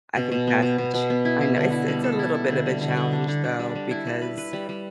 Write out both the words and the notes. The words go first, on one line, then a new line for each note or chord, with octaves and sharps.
I think that's the ch I know, it's it's a little bit of a challenge though, because
B2
B2
B3
B2
B2
B2
B3
E4
E4
D3
E4
G3
A4
E4
E4
D3
G3
D3
D3
D4
D3
D3
G3
G3
E4
G3
B4
B4
G3
G3